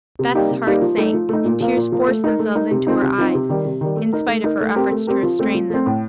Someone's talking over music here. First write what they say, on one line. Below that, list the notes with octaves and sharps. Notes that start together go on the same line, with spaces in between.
Beth's heart sank, and tears forced themselves into her eyes in spite of her efforts to restrain them.
C3
G3 A#3 D#4 G4
C3
G3 A#3 D#4 G4
F3
A3 D#4
F3
A3 D#4
A#2
F3 A#3
A#2
F3 A#3
A3
D#4 A#4
A3
D#4 A#4
C3
F3 C4 D#4
C3
F3 C4 D#4
C3
D#3 G3
C3
D#3 G3
A3
D#4 A#4
A3
D#4 A#4
A3
C4 G4 A#4
A3
C4 G4 A#4
F3
A3 C4
F3
A3 C4
A2